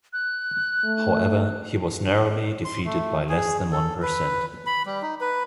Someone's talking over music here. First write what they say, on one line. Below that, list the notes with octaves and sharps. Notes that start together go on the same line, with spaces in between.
However, he was narrowly defeated by less than one percent.
F#6
A3
C6
A3
G#4
A4
B4
B5
G3
D#4
B4